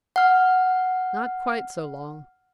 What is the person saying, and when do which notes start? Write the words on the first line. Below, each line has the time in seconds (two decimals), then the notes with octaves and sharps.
"Not quite so long."
0.16 F#5 F6